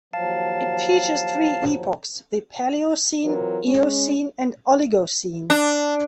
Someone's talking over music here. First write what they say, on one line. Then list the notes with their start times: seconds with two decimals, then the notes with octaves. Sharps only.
It features three epochs: the Paleocene, Eocene and Oligocene.
0.13 D#2 F3 F#3 F5 A5
3.24 E3 F#3 C4 F4 A#4
3.66 G#3 C#4
5.50 D4